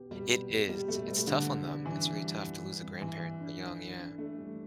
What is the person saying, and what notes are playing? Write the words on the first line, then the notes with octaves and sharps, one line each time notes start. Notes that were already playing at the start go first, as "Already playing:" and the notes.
It is, it's tough on them; it's very tough to lose a grandparent that young, yeah.
Already playing: B2 B3 G4
B2 G3
B3
B2
G3 G4
B2 A3
G3 B4
D3 G3
G3
G3
E3 D4
G3
G3
G2
G3
G2
E3 G3
G3
D4
D4
A4
D4
A3 D4
G3